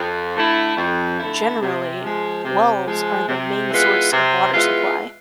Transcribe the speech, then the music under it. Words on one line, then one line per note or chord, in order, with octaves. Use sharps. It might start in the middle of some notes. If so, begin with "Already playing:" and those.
Generally wells are the main source of water-supply.
Already playing: F2
D3 A3 E4
F2
D3 A3 E4
C3
F3 G#3
C3
F3 G#3
C3
E3 G#3 B3 F4
C3
E3 G#3 B3 F4